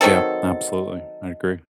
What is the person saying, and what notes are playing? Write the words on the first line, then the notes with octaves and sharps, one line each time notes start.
Yeah, absolutely, I agree.
D#3 F#3 C4 A4